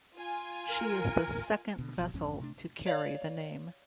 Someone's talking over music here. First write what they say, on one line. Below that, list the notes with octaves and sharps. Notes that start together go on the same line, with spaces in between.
She is the second vessel to carry the name.
F4 G#5
A#4
B2 D3
G1 B2 F#3
G#1 F2 G#2 C#4
C3 A3 D4
C#5 D5 F5